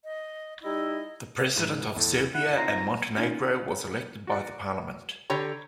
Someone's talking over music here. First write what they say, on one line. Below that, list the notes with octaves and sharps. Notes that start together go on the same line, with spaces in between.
The president of Serbia and Montenegro was elected by the parliament.
D#5
G3 D#4 E4 D#5
G#2 F3 E4
E2 A2 A3
E4 F#5
C4 D#4 F4 A#5
D#3 C#4 F4
F#4 D5 F#5
D3 G4 C#5 G5 A#5 B5